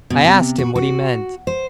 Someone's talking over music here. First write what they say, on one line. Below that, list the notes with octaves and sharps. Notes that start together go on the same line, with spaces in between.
I asked him what he meant.
B2
C3
F#4
F#4
C5